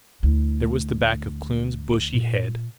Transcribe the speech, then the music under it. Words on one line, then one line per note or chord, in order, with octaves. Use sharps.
There was the back of Kloon's bushy head.
D2 E4
A#2